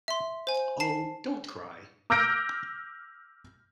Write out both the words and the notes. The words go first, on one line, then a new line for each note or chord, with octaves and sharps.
Oh, don't cry!
E5 C6
C5 G#5
A5 C7
D6 E6 F6 G6 A#6 D7